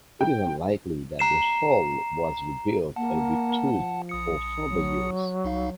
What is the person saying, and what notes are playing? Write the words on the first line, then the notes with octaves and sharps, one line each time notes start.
It is unlikely that the hull was rebuilt and retooled for further use.
G5
A#5 C7 E7
A#3 F#5 A5
F3
A#1 D#6 C#7
F#3
C2 D#4 F5